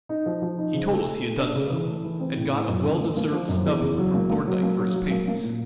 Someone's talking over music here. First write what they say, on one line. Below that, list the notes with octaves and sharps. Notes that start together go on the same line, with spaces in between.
"He told us he had done so, and got a well-deserved snubbing from Thorndyke for his pains."
D#4
F3
F3
D#4
C#3
A3
A3
A3
D4
C#3
E3
A3
E3
C4
A2
A2
F#2
D3
A#3
A#3
F3
F#2
E2
C#3
F#3
A#3
A#3
F#3
A#3
F#3
F#3
A#3
A#3
A#2